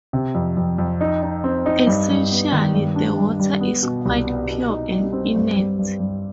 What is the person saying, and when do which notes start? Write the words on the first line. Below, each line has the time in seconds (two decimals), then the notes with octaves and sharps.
Essentially, the water is quite pure and inert.
0.13 C3
0.35 F2
0.57 F2
0.78 F2
1.01 D#4
1.23 D#4
1.44 C4
1.66 D#4
1.87 G2
2.10 G2
2.31 B3
2.52 D#3
2.74 G2
2.96 D4
3.18 G2
3.40 G3
3.61 B3
3.83 B2
4.05 C2
4.26 B3
4.48 B2
4.69 D#4
4.92 G3
5.13 C4
5.36 G2
5.56 G3
5.79 G2
6.00 G2